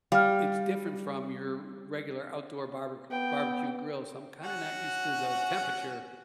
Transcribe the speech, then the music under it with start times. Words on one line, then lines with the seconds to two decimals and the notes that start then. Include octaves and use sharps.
it's different from your regular outdoor barber barbecue grill, so, I'm kinda not used to the temperature
0.12 G3 F5 F6
3.11 B3 G5
4.43 C#4 F#4 F#5